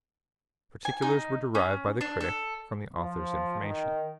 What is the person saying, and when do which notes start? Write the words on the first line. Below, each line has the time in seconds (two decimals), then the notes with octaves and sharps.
The particulars were derived by the critic from the Author's information.
0.85 G#5
1.02 D#4
1.55 C#4
2.01 D4
2.21 A4
2.95 F3
3.60 D#3